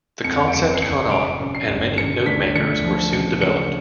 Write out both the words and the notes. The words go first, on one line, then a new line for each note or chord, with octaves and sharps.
The concept caught on, and many notemakers were soon developed.
F2 C#7
D7
F#1 C#7
C7
F#1 C#7
C#3 D7
F#2
C7
G1
C#3 C#7
D2 B6
D2 C#7
F3
C#3 C#7
C#3 C#7